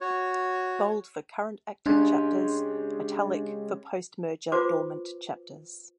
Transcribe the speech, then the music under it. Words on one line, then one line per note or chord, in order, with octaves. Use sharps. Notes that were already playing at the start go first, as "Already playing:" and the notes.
Bold for current active chapters, italic for post-merger dormant chapters.
F#4 C#5
C#3 G#3 D4 G4
F4 F#4 B4 C5 D6